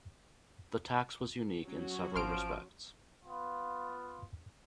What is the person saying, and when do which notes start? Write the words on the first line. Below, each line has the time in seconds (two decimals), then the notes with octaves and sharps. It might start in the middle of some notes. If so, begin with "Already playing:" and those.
The tax was unique in several respects.
1.65 F#3 C#4 F#4
2.16 G#1 F3 C6 F6 D7
3.25 B3 F4